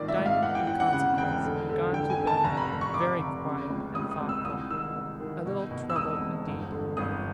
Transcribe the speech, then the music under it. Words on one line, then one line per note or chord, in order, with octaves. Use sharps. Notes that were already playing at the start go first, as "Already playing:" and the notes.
Diamond in consequence had gone to bed very quiet and thoughtful--a little troubled indeed.
Already playing: A#1 G#2 D#3 D5
E5
G#2
F5
E2 F#5
G5
E2 F#5
F#5
C#3 F#5
E1 G5
D3
D3
D3 G5
G#5
D3
A5
F1 A#5
B5
F1
C#6
F1 D6
F1
C#3
C#2
C#2 D#6
D#6
C#2
E6
C2 D#6
D#3 E6
C2
D#3
B2
B2
E6
E1 D#6
E1
G1
D3
G1 D#6